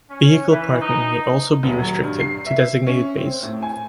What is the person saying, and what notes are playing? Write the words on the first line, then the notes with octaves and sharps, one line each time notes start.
Vehicle parking may also be restricted to designated bays.
C#4
E3
D#4
D#1
F#3
G2
C7
E5
C#4
C4
A2
G#5